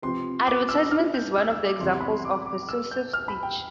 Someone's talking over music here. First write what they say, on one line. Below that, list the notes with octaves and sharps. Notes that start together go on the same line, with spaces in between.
Advertisement is one of the examples of persuasive speech.
C3 F3 C4 G4 B4 C6
D6
E6
F6
G6
E6
E6
D6
E2 C3 G3 C6
B5
C6
D6
D6
E6
G6
F6
B5
G5